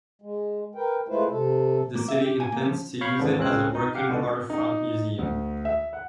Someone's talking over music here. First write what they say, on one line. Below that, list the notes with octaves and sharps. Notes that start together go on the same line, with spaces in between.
The city intends to use it as a working waterfront museum.
G#3
A#4 B4 G5
G#3 A3 E4 F4 B4 C5
C3 A4
A#3
E5
G4
G#5
A#3
F3
C#5 F5 B5 C#6 G6 C7
D#2 G#2 D3 E3 D4
C#2 C#3 C4 C#4 C#5 F#6
D#4
G4 F5 F#5 G6
C#2 B2 D3
D#4
D2
E5
F#5